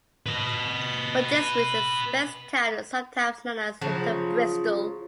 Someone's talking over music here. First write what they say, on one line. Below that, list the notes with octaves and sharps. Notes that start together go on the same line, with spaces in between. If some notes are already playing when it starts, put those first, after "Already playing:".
For this reason Speightstown is sometimes known as Little Bristol.
B4 D#5
C#3 F3 F#3